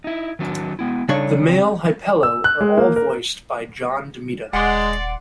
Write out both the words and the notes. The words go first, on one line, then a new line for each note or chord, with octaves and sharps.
The male Hypello are all voiced by John DeMita.
D#4 E4
D#3 F#3 D4
G#3 B3 E4
C#3 G3 D4 D#4 A4 C#5
C4
E6
F#6
G#3
A#3
A#4
D#1 G#3 D5 F#5 C6